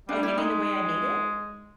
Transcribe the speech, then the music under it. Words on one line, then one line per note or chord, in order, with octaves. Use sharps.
Oh, you mean the way I made it?
G3 D4
G3 E4
G#3 D#4